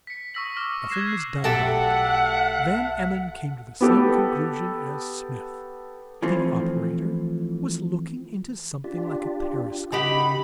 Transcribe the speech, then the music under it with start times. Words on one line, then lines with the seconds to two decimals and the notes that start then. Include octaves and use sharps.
Nothing was done about it. Van Emmon came to the same conclusion as Smith; the operator was looking into something like a periscope.
0.07 B6 C#7
0.34 C#6 D#6 E6 A#6 B6 F#7
0.56 C#6 D6 E6 F6 A#6
0.90 F6 F#6 G#6 A#6 C7 E7
1.44 B1 A3 F#4 G4 A4 E5 F#5 A5
3.81 B3 G4 A4
6.22 E3 F3 A3 C4
8.84 D4 F4 G4
9.92 C#3 D#4 F#4 G4 B5